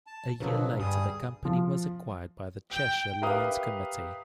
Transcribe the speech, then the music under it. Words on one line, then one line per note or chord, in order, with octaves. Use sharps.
A year later the company was acquired by the Cheshire Lines Committee.
A5
B2 D3 F3 F#3 A#4 B4
G2 G3 G#4 D#6
F3
G5
G4 A#4 B4 E5 F5 D#6